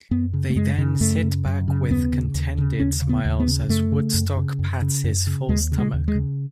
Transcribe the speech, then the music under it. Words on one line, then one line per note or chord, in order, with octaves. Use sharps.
They then sit back with contented smiles as Woodstock pats his full stomach.
F#2 B3
C#3
A3
F#2 G#3
C#3
F#2 A3
C#3
F#2
C#3
D#2 B3
C#3
D#2
C#3
D#2 C#4
C#3
B3
D#2
B3
C#3
F#2 A3
C#3
F#2
C#3
F#2
C#3
F#2
C#3
D#2 G#3
C#3
G#3
D#2
G#3
C#3